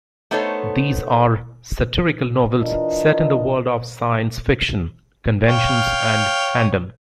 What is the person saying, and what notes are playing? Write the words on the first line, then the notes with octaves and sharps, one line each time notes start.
These are satirical novels set in the world of science fiction conventions and fandom.
A3 B3 D#4 A4 C5 C#5
E3 D4 F4 A#4 D#5
C#5 F5 G5